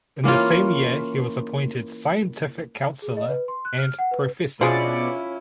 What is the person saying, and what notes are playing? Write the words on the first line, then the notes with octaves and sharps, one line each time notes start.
In the same year he was appointed Scientific Councilor and Professor.
E3 A#3 C#4 F4
G#4
D#5
B4
C6
F#6
F6
F#5
B4
B2 C#4 E4 F4 G#4 C5 D5 C#7